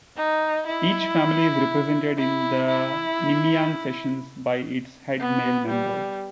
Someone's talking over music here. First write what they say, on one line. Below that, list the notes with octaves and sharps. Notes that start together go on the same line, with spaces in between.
Each family is represented in the Nimiang sessions by its head male member.
D#4
E4
E4
E4
B3
G3